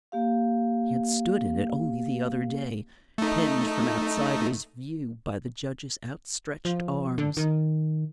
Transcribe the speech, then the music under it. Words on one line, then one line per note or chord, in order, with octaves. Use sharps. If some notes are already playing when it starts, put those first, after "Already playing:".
She had stood in it only the other day, penned from outsiders' view by the judge's outstretched arms.
A#3 G4 F5
A3 D#4
F3
D3
D#3